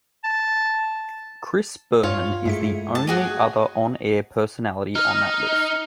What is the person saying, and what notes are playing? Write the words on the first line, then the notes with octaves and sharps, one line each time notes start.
Chris Berman is the only other on-air personality on that list.
A5
G2 F4 C#5
G2 G#3 A3 E4 E5 C#7
A5
F#4 G#4 D#5
D#4 F6